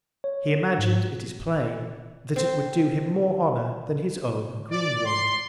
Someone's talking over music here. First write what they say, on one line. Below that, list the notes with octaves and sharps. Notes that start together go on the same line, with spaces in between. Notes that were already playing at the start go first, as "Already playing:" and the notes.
He imagin'd, it is plain, that it would do him more Honour than his own Green one.
C#5
G#2
C4
D5
C6